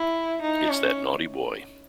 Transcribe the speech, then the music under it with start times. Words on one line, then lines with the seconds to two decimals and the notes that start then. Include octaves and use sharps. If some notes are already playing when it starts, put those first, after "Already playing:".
It's that naughty boy.
Already playing: E4
0.42 D#4
0.69 C#4